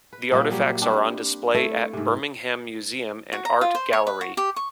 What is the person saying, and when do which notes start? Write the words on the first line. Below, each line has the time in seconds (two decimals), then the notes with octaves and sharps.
The artifacts are on display at Birmingham Museum and Art Gallery.
0.13 B4
0.32 A#2 G3 A#3
0.50 F#3 G3
0.82 G3 C4 D4
1.54 A3 E4 A4
1.93 G#2 C3
3.32 F#4
3.45 A#5
3.61 F4
3.75 C5
3.93 C#5
4.07 B4
4.21 F#4
4.37 G4
4.56 C#6